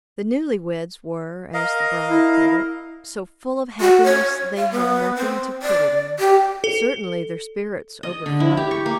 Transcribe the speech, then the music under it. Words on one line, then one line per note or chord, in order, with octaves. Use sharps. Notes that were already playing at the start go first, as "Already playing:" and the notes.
The newly-weds were, as the bride put it, "so full of happiness they had nothing to put it in." Certainly their spirits overflowed.
A#4 D#5 F5
E4
F#4
C#5
F5
B3
C4
D5
G4
A4
D#5
D3
E4
G4
C#6
A#3